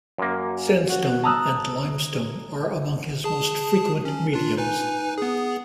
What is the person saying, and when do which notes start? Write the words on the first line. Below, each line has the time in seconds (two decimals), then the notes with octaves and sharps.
Sandstone and limestone are among his most frequent mediums.
0.18 F#2 A#3
0.87 F#4
1.24 A5 A#5 D#6 E6 F#6
3.24 G#4 A5
4.05 C#4
4.33 D4 F4
4.57 D#4 B4 G#5
5.18 B3 G#4